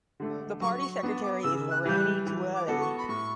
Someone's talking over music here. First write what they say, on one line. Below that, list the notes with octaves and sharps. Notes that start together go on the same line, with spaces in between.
The party secretary is Loraini Tulele.
D3 A3 D4
F#3 C#6
C#6
B3 D4
D6
C#3 E6
F#6
E3 G3 G6
F#6
E3
D6
B3 F#4 A4
C#6
B5
A2 C#6